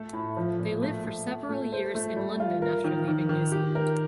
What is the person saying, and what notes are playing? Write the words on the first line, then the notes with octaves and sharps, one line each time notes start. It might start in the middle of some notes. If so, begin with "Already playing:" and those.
They lived for several years in London after leaving New Zealand.
Already playing: A3 A4
A2
F3
A#2
A3
A3
A3
A3
C5
A3
G3
F4
A#4
D#3
D#3
D#3
G4
A#4